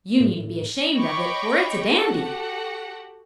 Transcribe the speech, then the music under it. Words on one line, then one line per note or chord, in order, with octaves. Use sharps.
You needn't be ashamed of it, for it's a dandy.
A2
C#5 D#5 G5 B5 C#6 D6
F#4 G4 A4 F#5